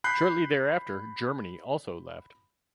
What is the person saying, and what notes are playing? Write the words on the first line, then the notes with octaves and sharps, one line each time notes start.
Shortly thereafter Germany also left.
B5 F#6 G6 C7